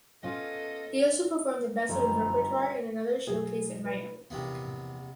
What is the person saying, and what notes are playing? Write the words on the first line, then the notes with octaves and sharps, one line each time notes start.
He also performed the best of his repertoire in another showcase in Miami.
B3 C#4 F4 A4 D#5
G1 F#2 B2 D#3 F3 A3 C4 A#5
B2 F#3 G#4
B4
A#1 E2 C3 E3 B3 G4